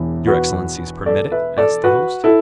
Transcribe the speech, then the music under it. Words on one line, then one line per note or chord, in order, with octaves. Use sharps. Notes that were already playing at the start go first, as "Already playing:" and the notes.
"Your excellencies permit it?" asked the host.
Already playing: E1 E2 E3 E4
F#4 B4
A4 D5
B4 E5
A4 D5
F#4 B4
E4 A4